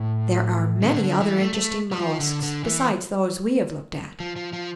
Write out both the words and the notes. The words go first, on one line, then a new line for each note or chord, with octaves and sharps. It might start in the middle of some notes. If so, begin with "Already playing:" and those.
There are many other interesting molluscs, besides those we have looked at.
Already playing: A2
C#3
D3
D3
E3
A3
A3
G3
F3
D3
D3
E3
F3
F3
F3